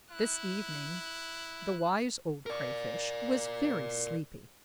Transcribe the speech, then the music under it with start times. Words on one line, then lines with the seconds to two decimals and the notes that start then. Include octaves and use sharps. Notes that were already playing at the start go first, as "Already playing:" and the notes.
This evening the Wise Old Crayfish was very sleepy.
0.11 E4 F#6
2.46 A#4 D5